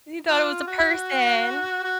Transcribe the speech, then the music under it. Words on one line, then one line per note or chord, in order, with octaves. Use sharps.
he thought it was a person.
F4
F#4
F#4